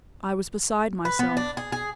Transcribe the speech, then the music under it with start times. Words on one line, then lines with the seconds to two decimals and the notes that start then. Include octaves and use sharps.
I was beside myself.
1.05 B4
1.19 B3
1.37 D4
1.57 G#4
1.72 G#4